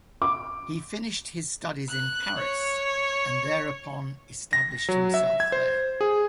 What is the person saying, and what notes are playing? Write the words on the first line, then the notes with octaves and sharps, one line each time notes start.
He finished his studies in Paris and thereupon established himself there.
D6
F#6
C#5
A#6
F#3
E5
G#6
C5
G#4